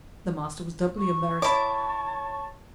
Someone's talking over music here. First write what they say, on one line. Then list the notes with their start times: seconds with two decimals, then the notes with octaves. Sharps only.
The master was doubly embarrassed.
0.98 C#6
1.42 E4 C#5 A5 D6